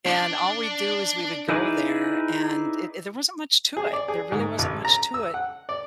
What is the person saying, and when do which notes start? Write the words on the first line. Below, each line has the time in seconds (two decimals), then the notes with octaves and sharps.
and all we do is we would go there and it there wasn't much to it there really wasn't much to it,
0.06 D4 D5
1.49 D#4 E4 G#4 B4 D5
3.77 G#4
3.93 D5
4.08 G#4
4.32 G#2
4.59 A1
4.85 A#5
5.14 E6
5.34 F#5
5.69 D5